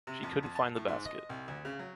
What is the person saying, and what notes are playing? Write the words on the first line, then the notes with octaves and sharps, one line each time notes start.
She couldn’t find the basket.
C3
F2
F2
A5
A2
G#2
D#5
C2
D2
C#3
F#3